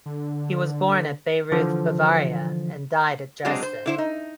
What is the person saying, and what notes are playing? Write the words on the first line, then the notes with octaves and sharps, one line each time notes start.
He was born at Bayreuth, Bavaria and died at Dresden.
D3
D3 E3 F3
F#3 G#3 C4 D4 G#4
C5
D3 E4 C5
D#4